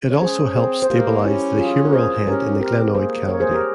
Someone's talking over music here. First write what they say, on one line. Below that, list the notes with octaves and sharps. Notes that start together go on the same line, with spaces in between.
It also helps stabilise the humeral head in the glenoid cavity.
C#5
C#4 G#4 C5
C4 G#4 C5
C5
A#3 G4 A#4
C#4 E4 G4
F4 G#4
A#4
G#4 C5
C#4 G4 A#4
C4 G4 A#4
A#3 G#4 C5
A#3 A#4 C#5
G#4 C5
G4 A#4